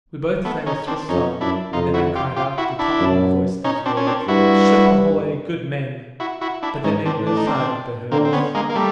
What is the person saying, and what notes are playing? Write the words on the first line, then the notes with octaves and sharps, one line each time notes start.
We both sang a Swiss song, and then I cried out at the top of my voice these words: "Ship ahoy! good men!" But they made no sign that they heard us.
A3 B3
C#4 D#4
C4 D4
F2 C#4 D#4
F#2 D4 E4
F2 D#4 F4
E4 F#4
F4 G4
F4 G4
E4 F#4
D4 E4
F#2
C#4 D#4
C4 D4
C#4
C4 D4
G2 E4 F#4
E4 F#4
E4 F#4
D4 E4
G#2 C#4 D#4
C4 D4
A2
D4
D#4
C4 D4
D3 A#3 C4
C4
B3 C#4
G#3 A#3
A#3
G3 A3